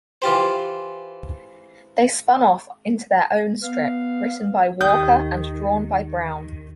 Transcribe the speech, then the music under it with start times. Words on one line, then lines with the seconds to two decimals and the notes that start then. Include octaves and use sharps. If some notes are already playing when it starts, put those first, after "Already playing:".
They spun off into their own strip, written by Walker and drawn by Browne.
0.22 E3 F4 G4 C5
3.63 B3 F5
4.81 D#2 D#3 G4 G5 D#6 G6